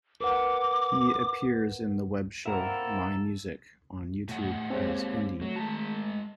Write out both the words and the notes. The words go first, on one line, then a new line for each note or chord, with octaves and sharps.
He appears in the webshow "MyMusic" on YouTube as Indie.
A#4 B4 F#5 D6
A#3 C4 E4 A4 A#4 E5 F#5
A2 F#5
G#3 A#3 C4 G4 C#5
F#3 A3
G#3 A5 A#5